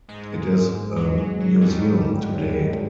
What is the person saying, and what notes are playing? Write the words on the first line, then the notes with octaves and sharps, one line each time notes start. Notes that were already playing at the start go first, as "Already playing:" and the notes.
It is a museum today.
G#2 G#3
F#3
F#3
F#3
G2 G3